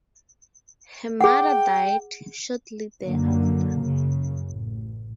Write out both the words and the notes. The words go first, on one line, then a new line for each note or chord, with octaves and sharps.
Her mother died shortly thereafter.
G#4 F#5 G5
F#2 D3 F#3 A#3
F#2 C#3
A1